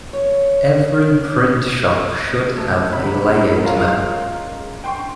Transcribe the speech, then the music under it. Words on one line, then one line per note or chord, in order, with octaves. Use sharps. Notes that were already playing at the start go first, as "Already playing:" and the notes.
Every print shop should have a layout man.
C#5
A3
D2 C3 F#3 B5
G#3 C#4 F4 A#4 F5
G5 C6 C#6